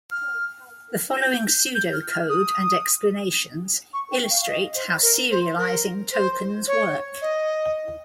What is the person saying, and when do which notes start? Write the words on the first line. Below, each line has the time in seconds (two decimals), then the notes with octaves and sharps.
The following pseudocode and explanations illustrate how serializing tokens work.
0.11 F6
1.20 G6
1.75 G6
1.93 F6
2.11 F6
2.29 D#6
3.93 C#6
4.11 G5
4.30 F5
4.41 F5
4.48 D#5
4.75 C5
5.02 A#4
5.30 C5
5.58 A#4
6.12 C5
6.67 C#5
7.21 D#5